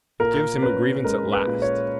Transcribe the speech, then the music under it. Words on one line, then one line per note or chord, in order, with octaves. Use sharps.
It gives him a grievance at last.
A#2 A#4
C#4 B4
G#3 A#4
B4
A#2
C#5